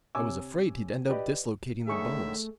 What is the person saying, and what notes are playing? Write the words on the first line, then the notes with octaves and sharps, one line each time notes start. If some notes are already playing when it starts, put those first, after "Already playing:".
I was afraid he'd end up dislocating the bones.
C3 C#5 G#5 D6 E6
G4 B4 D5 D#5
A2 D3 D#3 A3 G#4 E5 C#6